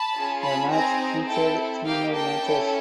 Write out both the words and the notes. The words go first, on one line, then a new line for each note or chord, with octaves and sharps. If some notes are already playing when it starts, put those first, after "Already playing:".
The match featured three more matches.
Already playing: A5 B5
C#4 F4 G#4
A5 B5
C4 D#4 G#4 G#5 A#5
C4 E4 A4 G5 A5
A#3 D#4 G4 F5 G5
G5 A5
C#4 E4 A4